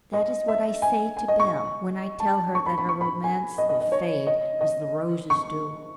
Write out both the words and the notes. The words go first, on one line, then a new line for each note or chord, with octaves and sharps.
That is what I say to Bell when I tell her that her romance will fade as the roses do.
D#5
E5
G#5
G#5
D#5
C#6
A5
C#6
B5
B5
C#6
B5
G#5
D#5
D#5
D#5
C#5
D#5
D#5
C#6